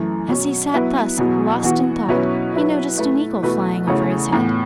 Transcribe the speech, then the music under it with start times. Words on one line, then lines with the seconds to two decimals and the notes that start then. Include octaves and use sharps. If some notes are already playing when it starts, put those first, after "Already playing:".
As he sat thus lost in thought, he noticed an eagle flying over his head.
Already playing: F#2 E3 A3
0.28 B2 F#3 C#4
0.74 F#3 B3 E4 B4
1.18 E2 B2 F#3 B3
1.63 E3 B3 F#4
2.08 B2 F#3 C#4 E4 B4
2.53 F#3 C#4 E4 B4
2.98 A3 E4 B4
3.43 E2 B2 A3 F#4 B4
3.87 E2 C#3 A3 F#4 C#5
4.33 A2 E3 B3